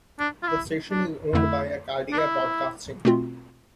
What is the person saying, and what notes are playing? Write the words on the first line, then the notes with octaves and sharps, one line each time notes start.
The station is owned by Acadia Broadcasting.
D4
F4
E4
D4
F2 D3 A3 E4
D4
E4
B2 A3 C4 F4